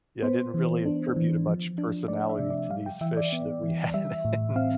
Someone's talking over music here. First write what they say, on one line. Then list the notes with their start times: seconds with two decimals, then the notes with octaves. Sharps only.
yeah, I didn't really attribute, uh, much personality to these fish that we had in
0.23 B3 C5
0.54 E3
0.85 D4
1.16 E3
1.47 F3
1.78 D4
2.08 A3 D5
2.29 E5
2.39 C3
2.50 D5
2.70 G3 F5
2.86 G5
3.01 E3 E5
3.17 D5
3.33 B3
3.63 E3
3.94 G3 E5
4.25 A2
4.56 C4 F5